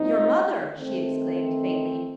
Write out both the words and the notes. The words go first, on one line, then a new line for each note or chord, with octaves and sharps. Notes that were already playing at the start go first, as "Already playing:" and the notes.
"Your mother!" she exclaimed faintly.
Already playing: A#2 G3 C4 D#4
D#3 A3 C4
D#4